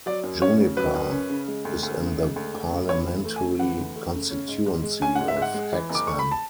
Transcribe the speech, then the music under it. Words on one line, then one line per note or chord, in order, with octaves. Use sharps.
Juniper is in the parliamentary constituency of Hexham.
F#3 D5
F#2
C#4 C#5
C#3
F#3 B4
F#2
C#4
C#3
G#3
D2
D2
C#3
G#3
D2
D2
C#3
E3 C#5
D2
A3
G#5
C#3
E3 F#5
D2
A3
C#3
C#4
G#2
G#2
G#3
C#4 G#5
G#2 F#5
E5
G#2
F#5
G#3
E3
F#1
D6
A3 C#6
B5
A5